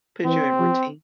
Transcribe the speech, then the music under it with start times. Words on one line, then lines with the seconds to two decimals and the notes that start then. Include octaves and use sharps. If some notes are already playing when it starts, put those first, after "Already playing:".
Put you in routine.
0.25 E3 C4
0.59 F3